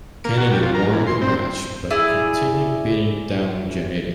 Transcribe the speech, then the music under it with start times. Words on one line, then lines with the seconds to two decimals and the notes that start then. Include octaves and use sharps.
Kennedy won the match, but continued beating down Jannetty.
0.25 A#3
0.37 F#4
0.51 G3
0.63 F3
0.75 A#4
0.93 E2
1.07 C6
1.21 C4
1.90 E4 G#4 D5